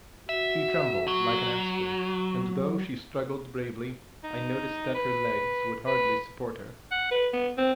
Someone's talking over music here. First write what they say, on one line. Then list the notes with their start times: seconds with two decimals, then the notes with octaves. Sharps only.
She trembled like an aspen, and though she struggled bravely, I noticed that her legs would hardly support her.
0.29 F#4 E5
1.08 F#3
4.24 D#4
4.95 B4
5.87 B4
6.91 F#5
7.11 B4
7.33 B3
7.57 C4